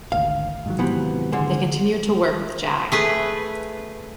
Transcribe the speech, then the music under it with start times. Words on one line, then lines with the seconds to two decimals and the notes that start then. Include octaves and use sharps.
They continue to work with Jag.
0.12 G#1 D2 F5
0.66 G#2 D#3 F#3
0.79 C3 E3 B3
1.32 D3 G#3
2.92 A3 G#4 B4